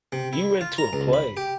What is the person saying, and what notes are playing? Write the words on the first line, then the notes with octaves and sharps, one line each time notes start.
you went to a play.
C3
E4
F4
A#5
C#2
B5
G4